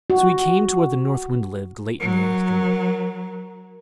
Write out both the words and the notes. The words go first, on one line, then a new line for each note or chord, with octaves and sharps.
So he came to where the North Wind lived late in the afternoon.
F#4
F#3 A#4